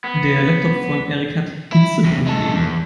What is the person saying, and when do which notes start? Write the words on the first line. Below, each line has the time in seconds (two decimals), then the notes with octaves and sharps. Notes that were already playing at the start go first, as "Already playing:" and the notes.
Der Laptop von Erik hat Hitzeprobleme.
0.04 B3
1.72 E4
2.04 E2 C3
2.27 G#3 A4
2.55 E2